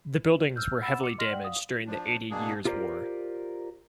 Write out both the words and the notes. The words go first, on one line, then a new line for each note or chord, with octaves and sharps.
The buildings were heavily damaged during the Eighty Years War.
E6 F6 G6
F#5 B5 E6 A6 E7
D6 C#7
D#5 C6 F6 A#6 B6 F#7
D5 F#5 G5
F5 D#6
F3 D4
B2 A#3 D4 G#4
F4 G4 A#4 C5 D5